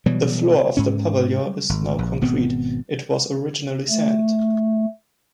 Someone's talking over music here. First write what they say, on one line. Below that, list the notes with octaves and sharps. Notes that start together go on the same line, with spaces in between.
The floor of the pavilion is now concrete; it was originally sand.
B2 E3 F#3 G3
G#2 C#4
G#1
A#1
G#1 B2 B3 C4
A3